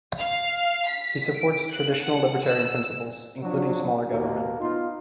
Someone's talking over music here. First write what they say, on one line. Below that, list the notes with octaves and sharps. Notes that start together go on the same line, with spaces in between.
He supports traditional libertarian principles, including smaller government.
F5
B6
D7
F#6
F#5
E6
F3 F#3 D4 F#4
D#2 B2 A#3
B3 D#4 F4